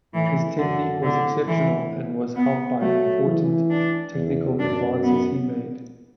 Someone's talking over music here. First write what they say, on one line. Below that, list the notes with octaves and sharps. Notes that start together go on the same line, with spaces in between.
His technique was exceptional, and was helped by important technical advances he made.
A2 E3
F#2 D3
A2 D3
E3
B3
F#3 A3
E3
D4
E2
F#2 D4
B3